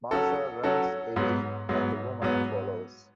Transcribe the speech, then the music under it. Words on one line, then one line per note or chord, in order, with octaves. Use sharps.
Marsha runs away and the woman follows.
F#3 C#4 F#4 A4
F#3 C#4 F#4 A4
G#2 F#3 B3
G#2 F#3 B3
G#2 F#3 B3